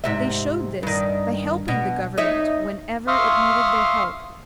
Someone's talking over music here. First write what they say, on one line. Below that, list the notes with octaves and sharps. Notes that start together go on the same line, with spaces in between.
They showed this by helping the Government whenever it needed their help.
G#2 C3 E5
G2 D#3
B2
D#4 C#5 E5
E5 F5 C6 C#6 D#6 F6